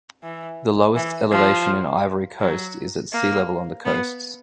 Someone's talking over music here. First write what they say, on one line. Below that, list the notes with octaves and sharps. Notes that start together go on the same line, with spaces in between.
The lowest elevation in Ivory Coast is at sea level on the coasts.
E3
E3
F3
F#3
A#3
B3